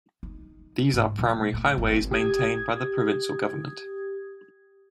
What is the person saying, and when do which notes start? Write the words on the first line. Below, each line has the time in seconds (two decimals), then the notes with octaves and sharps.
These are primary highways maintained by the provincial government.
0.23 D#4
0.94 G#2
1.19 A#2 A#3
1.54 A3
1.78 G#1
2.11 G4 D#6 G#6